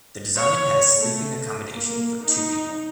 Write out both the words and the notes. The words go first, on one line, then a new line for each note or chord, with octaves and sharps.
The design has sleeping accommodation for two people.
C#5
A3
A#3
D#4